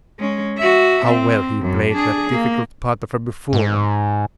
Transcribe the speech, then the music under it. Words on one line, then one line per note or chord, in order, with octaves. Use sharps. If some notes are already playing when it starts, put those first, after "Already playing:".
How well he played that difficult part of buffoon!
G#3 C#4
F#4 E5
C4
F#2
D4 G#4
A#3
G#2